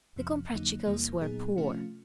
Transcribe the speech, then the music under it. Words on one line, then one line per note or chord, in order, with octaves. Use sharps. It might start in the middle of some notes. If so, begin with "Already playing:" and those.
The Comprachicos were poor.
F2 C3 F3
F2 D3 F#3 A#3 D#4
E2 C3 E3 G3 A#3
A#2 F#3 B3 D#4 G#4
C3 F3 A3 C#4 F4